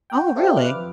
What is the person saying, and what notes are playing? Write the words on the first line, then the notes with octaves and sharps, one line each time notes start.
Oh, really?
F#4 G5
D4 E4 F4 G4 A4 C5
B4 D6 F6
F2